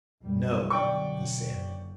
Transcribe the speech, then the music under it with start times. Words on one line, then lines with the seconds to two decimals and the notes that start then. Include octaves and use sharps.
"No!" he said.
0.22 F#1 B1 G3
0.70 B2 D3 F#3 D5 G5 C#6
1.52 F#1